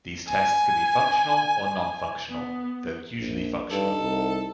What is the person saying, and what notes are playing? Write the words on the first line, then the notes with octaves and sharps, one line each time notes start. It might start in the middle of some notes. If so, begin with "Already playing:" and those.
These tests can be functional or non-functional, though usually functional.
G#5
B3
A#1
G2 D#4 A4
C2